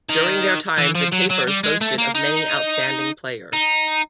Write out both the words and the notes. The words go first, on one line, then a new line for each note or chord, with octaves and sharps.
During their time, the Tapers boasted of many outstanding players.
D#3
E3
F3
F#3
F#3
G3
G#3
A3
A#3
D#4
D#4